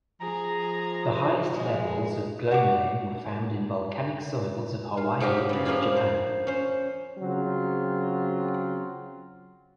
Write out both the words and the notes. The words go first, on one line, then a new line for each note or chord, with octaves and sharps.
The highest levels of glomalin were found in volcanic soils of Hawaii and Japan.
F3 G#4 A#5
G#3
F#4 D6
F4
G#2 F#3 F4 G4 D#5
G2 C#3
F3 A#3 C#4 D4 E4 F4
C5
C#4 C5
C#3 F#3 C4 F4